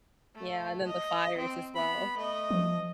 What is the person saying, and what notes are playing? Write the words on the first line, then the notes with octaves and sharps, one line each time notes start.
Yeah, and then the fires as well.
A3
D#5
C4
B3 B5
A3 D#5
F3